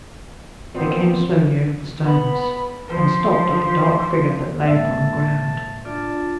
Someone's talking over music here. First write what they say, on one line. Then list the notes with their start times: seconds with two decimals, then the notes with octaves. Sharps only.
They came slowly over the stones, and stopped at the dark figure that lay upon the ground.
0.74 A#2 B3 C4 C5
2.01 B3 B5
2.88 F3 C5
4.67 A2 G#3 A#3 E5 A5
5.85 D4 F4 D5 A5